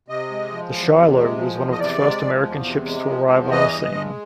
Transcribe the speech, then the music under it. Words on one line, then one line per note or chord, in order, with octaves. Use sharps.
The "Shiloh" was one of the first American ships to arrive on scene.
C3 D#5
G#3
F3
E2
C3
G#3
F3
E2
D#5
C3 D5
G#3
F3
E2
C3
G#3
F3
E2
E3 D#5
G2
G#3